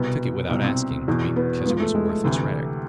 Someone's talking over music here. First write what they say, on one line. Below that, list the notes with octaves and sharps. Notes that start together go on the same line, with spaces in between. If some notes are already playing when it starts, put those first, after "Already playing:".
I took it without asking, because it was a worthless rag.
Already playing: C2 B2 B3
C2 B2
C4
E2 B2
B3
G#2 F3 B3
A3
G#3
A3
D2 C3 E3